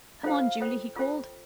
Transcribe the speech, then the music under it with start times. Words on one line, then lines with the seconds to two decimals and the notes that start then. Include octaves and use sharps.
"Come on, Julie," he called.
0.23 F4 A4 C5 F5 G5
0.60 F4 A4 C5 G5
0.96 F4 A4 C5 G5